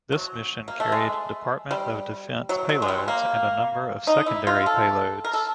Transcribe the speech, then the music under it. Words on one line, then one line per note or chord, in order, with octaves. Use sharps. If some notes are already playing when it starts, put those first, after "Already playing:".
This mission carried Department of Defense payloads and a number of secondary payloads.
F#3
A#3
A3
G#3
G3
F#3
F#3
G#3
G3
A#3
D#4
E4
F4
A4
A#4
A4